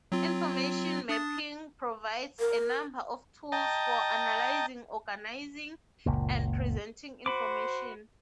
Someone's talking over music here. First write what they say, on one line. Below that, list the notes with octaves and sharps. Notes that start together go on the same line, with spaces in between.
Information mapping provides a number of tools for analyzing, organizing and presenting information.
F#3 C4 F4
D4 D#6 A6
A#4
D#5 G5 A5 A#5
F#1 C#2 A#2
F#4 C5 B5 D6